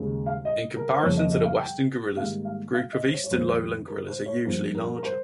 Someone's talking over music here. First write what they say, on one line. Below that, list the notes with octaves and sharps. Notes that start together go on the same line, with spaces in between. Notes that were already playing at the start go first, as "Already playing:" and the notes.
In comparison to the Western Gorillas, groups of eastern lowland gorillas are usually larger.
Already playing: D#2 C#3 G#3
F5
D#5
A#4
C5
F2 C#3 F3 A#3 C#5
D#5
D#5
F5
G5
G#2 D#3 G3 A#3 F5
F5
F5
D#5
C5
C#5
C#5
F2 D#3 G#3 C5
A#4
C5
C#5
G2 F3 A#3 C5
A#4
A#4
C5